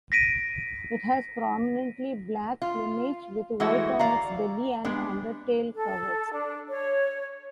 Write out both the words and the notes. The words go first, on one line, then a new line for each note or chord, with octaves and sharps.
It has predominantly black plumage, with white on its belly and undertail coverts.
A#6 B6 D7 D#7
F4
E3 G#3 A3 E4 F#4
D5 F5 A#5
G3 G#3 B3 D4
A4
D4
C#5